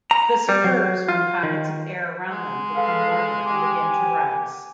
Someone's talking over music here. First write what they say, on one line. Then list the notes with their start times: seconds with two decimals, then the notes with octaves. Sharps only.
This occurs when pockets of air around them become warmer and begin to rise.
0.11 A#5
0.49 G3
0.64 F#3
1.08 F4
1.43 D#3
2.29 G#3
2.75 A4 B4 F5
3.45 G4 G#5